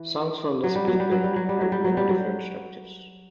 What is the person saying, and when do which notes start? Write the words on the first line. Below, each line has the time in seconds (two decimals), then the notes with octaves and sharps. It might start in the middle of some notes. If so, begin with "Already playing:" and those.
Songs from this period had many different structures.
Already playing: E3
0.64 F#3
0.75 G3
0.88 F#3
1.00 G3
1.11 F#3
1.24 G3
1.36 F#3
1.49 G3
1.61 F#3
1.72 G3
1.84 F#3
1.97 G3
2.09 F#3